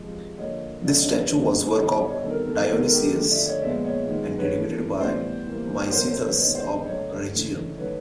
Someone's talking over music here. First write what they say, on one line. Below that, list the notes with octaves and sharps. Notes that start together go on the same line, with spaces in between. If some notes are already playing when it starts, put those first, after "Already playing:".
This statue was a work of Dionysius, and dedicated by Micythus of Rhegium.
Already playing: C3 F3 G#3
D3 F3 A#3 C#5 D#5
B2 F#3 A3 D5 E5
C#5 D#5
B4 C#5
A#2 G3 B3
D3 G3 B3 C#5 D#5
D5 E5
C#5 D#5
C3 D#3 G3 B3 A4
A#4
A4
A#4
A4
A#4
A4
D#3 G#3 B3 A#4
A4
A#4
G4 A4
D3 F3 A3
D5 E5
C#5 D#5
A#2 F3 G#3 B3 D5 E5
C#5 D#5
D#3 G#3 B3
B4 C#5
C3 E3 A3
A2 E3 G3 B3 C5 D5
C3 E3 G3 A#3
B2 F#3 A#3 A#4 C5
A#4 C5
B4 C#5
D#3 G#3 B3 C#5 D#5
C5 D5
C#5 D#5
D3 F#3 A3 C#5 D#5
C#3 E3 A3
D#3 F#3 A3 B4 C#5